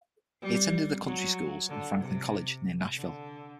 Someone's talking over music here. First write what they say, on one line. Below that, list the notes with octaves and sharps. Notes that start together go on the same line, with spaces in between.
He attended the country schools and Franklin College, near Nashville.
G3
F#3
D3
C3
D3